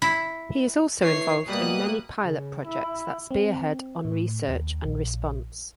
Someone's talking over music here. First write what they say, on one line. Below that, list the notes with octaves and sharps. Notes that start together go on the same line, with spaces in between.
He is also involved in many pilot projects that spearhead on research and response.
E4
E3 C#5 C7
B2 G3 A3 A#3 D#6 F#6
C#3
E4
C4
A2
D#2
A#1